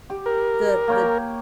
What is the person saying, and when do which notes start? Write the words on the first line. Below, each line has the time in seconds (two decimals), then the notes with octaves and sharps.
the the
0.10 G4
0.26 A#4
0.88 A#3 C#5 G5